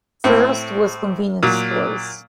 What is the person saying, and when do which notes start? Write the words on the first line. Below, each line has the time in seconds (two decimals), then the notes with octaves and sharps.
First was convenience stores.
0.24 A2 C4
1.43 A#2 F#3